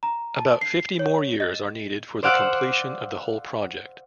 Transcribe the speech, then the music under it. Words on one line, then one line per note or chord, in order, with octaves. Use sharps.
About fifty more years are needed for the completion of the whole project.
A#5
A5
C7
C#5
D#5
C5 D5 F5 F#5 D6 E6